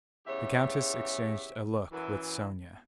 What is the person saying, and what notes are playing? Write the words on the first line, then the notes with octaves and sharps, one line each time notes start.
The countess exchanged a look with Sonya.
E2 C#3 G4 C#5 E5
F#2 E3